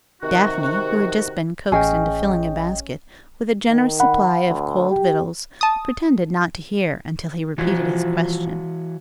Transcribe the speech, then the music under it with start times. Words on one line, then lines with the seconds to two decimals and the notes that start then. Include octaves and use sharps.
Daphne, who had just been coaxed into filling a basket with a generous supply of cold victuals, pretended not to hear until he repeated his question.
0.22 C3 D#3 F#4
1.72 A1 C#4 G#4 D#5 G5
3.68 D#3
4.00 F#5 B5
4.49 D2
4.90 G4
5.61 A5 D#6
7.58 E3 F3 F#4